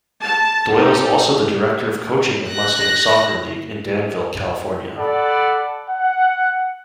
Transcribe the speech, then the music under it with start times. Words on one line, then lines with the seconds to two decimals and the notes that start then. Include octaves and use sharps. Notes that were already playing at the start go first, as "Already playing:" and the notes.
Doyle is also the Director of Coaching of Mustang Soccer League, in Danville, California.
0.21 A5
0.72 D#4 G4 A4
2.49 F#6 A#6
4.98 A4 D5 F#5 B5
5.88 F#5